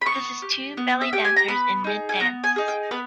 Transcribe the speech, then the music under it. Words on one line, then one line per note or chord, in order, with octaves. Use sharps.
This is two belly dancers in mid dance.
B5
B3 C#6
G4
B3
E5
G4 G5
G#5
A#5
B3 B5
D#4 G#4
G#5
B3 A#5
G#5
D#4 G#4
G5
B3 B4